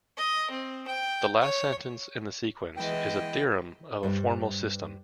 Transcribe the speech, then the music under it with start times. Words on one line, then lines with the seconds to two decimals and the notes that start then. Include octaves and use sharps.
The last sentence in the sequence is a theorem of a formal system.
0.17 D#5
0.50 C4
0.87 G5
1.41 C#5
2.77 E3 G#3 B3 E4 D#5 G5
4.03 G2 G3 B4 C5